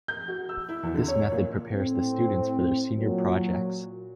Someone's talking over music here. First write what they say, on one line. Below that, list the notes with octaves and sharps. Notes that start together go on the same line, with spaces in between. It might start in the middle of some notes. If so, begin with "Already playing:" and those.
This method prepares the students for their senior projects.
G6
F#4
E6
E4
E2
D3
C#5
A#2
A2 C4
A#2 F#3